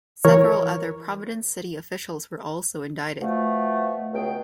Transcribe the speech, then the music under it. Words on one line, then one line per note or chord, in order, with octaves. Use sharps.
Several other Providence city officials were also indicted.
E3 A#4 C#5
B2 F3 A3
C#2 B2 B3 G#4 G5